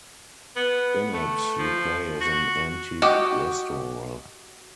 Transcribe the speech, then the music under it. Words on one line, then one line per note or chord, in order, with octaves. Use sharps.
In it you play as an antique restorer.
B3
A3
F3
F#4
F#4 G4 D#5